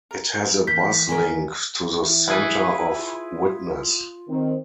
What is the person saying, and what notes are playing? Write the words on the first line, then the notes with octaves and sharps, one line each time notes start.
It has a Bus Link to the centre of Widnes.
A#4
E3 A#3 G6 B6
D#3 D#4 A#4 G#5
E3
E4 G#4 B4
F4
D#3 C4